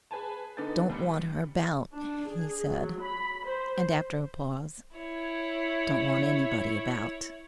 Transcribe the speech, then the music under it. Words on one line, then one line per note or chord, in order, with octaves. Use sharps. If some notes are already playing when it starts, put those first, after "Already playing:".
"Don't want her about," he said, and after a pause, "Don't want anybody about."
G#4 B4 G#5 A5
D3 B3 D#4 A4 A6
D#2 G3 C#7
D4
G#4
F#3
B5
C5
E4 C#5